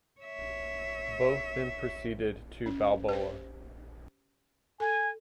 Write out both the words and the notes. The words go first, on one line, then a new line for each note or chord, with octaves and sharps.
Both then proceeded to Balboa.
C#5 E5
C#4
G4 C5
A4 G#5